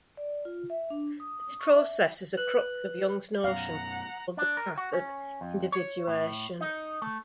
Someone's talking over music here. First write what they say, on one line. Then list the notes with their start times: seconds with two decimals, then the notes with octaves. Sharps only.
This process is the crux of Jung's notion called the path of individuation.
0.17 D5
0.45 F4
0.70 E5
0.90 D4
1.20 D#6
1.40 D#6
1.60 C#6
1.74 E5
2.37 B4 F#6 F#7
3.44 F#2 B2 F5 F#5 A#5
4.37 D4
4.57 A#4
4.78 F#4
4.93 C#4
5.41 F2
5.72 C#5
6.07 A2
6.61 D#4
7.02 A3